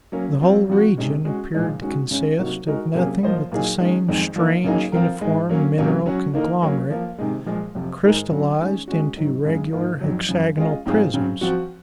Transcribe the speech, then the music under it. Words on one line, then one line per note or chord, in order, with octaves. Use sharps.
The whole region appeared to consist of nothing but the same strange, uniform mineral conglomerate, crystallized into regular hexagonal prisms.
F#3 A#3 C#4
F#3 C4 F4
F3 C4 F#4
C3 D#3 G#3 C#4
G#3 C#4 F#4
A#2 F3 G#3 D#4
D#3 G#3 C#4 F#4
C#3 G#3 C#4
C3 F#3 A#3 D#4 F#4
G#3 D#4 F#4 A#4 D#5
C3 F#3 A#3 C#4 G#4
F3 A#3 F4 C5 D#5
A#2 F#3 A#3 D#4 G#4
D#3 G#3 C#4
F2 D#3 G#3 C4
F3 A#3 D#4
C#3 F#3 A#3 D#4 G#4
F3 C4 F4 A#4
G#2 D#3 G#3
F#3 A#3 C#4
C3 F#3 A#3 C#4
F#3 C#4 F#4
D#3 A#3 D#4 A#4
F#3 A#3 C#4
F3 A#3 F4
C3 D#3 G#3
A#2 F3 G#3
F2 C3 F3
G#2 D#3 G#3 D#4 A#4
C#3 F#3 C#4
D#3 G#3 C#4
G#3 C#4 F#4
G#2 D#3 F#3
F#2 C#3 G#3
G#2 D#3 A#3 F4
F2 D#3 F#3
F#2 C#3 F3
G#3 C#4 F4 G#4 D#5
G#2 F#3 C4 F4 G#4
C#3 F#3 C4
F3 C4 F#4